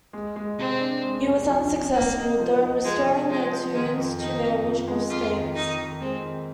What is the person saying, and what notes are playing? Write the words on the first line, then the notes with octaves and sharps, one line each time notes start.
He was unsuccessful, though, in restoring the tunes to their original states.
G#3
G#3
C3 C4
D4
G#3
C3
F3
C3
C3 A#3
D#4
F3
D#4
F3 G#3
C3
F3 G#3
F3
D#3 G#3
F2
D#3 D#4
F2
F2
G#3
F2 F4
D#3
D#3 D#4
D#3
G#3 C4
D#3